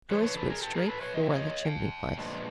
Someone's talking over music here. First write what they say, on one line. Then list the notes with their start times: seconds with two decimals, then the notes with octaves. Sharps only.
Joyce went straight for the chimney-place.
0.11 D3 F3 A3 D4 B4 C#5
0.19 C5
0.24 B4 C#5
0.37 A4 B4
0.49 G#4 A#4
0.62 G4 A4
0.75 G#4 A#4
0.88 A4 B4
1.01 B4 C#5
1.14 E2 C3 F3 D#5
1.22 E5
1.30 C#5 D#5
1.65 F5 G5
2.17 A#2 F3 G#3 B3 D4